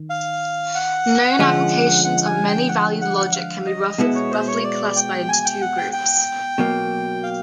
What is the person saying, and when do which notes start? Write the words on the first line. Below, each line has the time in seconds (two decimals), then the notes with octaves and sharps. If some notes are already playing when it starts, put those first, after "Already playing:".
Known applications of many-valued logic can be roughly classified into two groups.
Already playing: D#3
0.10 F5
0.75 F#5
1.39 D3 F3 G#3 C#4 F4
2.04 F#5
2.26 G#5
2.48 G5
2.68 F#5
3.01 F#5
3.17 F#5
3.33 F5
3.66 D#5
3.98 B2 G#3 B3 E4
4.15 C#5
4.31 C5
4.47 C#5
4.64 D5
4.96 G5
5.29 G#5
5.45 G5
5.61 F#5
5.78 G5
5.93 G5
6.58 B2 F#3 A#3
7.23 F5